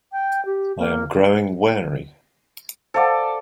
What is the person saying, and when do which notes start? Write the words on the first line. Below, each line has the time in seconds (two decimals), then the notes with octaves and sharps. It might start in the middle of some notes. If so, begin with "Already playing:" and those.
I am growing wary.
0.12 G5
0.45 G4
0.79 A#3
2.94 A4 C5 D5 F5 F#5